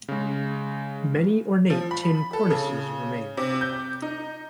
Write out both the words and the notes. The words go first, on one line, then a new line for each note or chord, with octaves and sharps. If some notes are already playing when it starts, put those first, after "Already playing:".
Many ornate tin cornices remain.
C#3 G#3
F3
B5
A4
C#3
C3
G6
D#4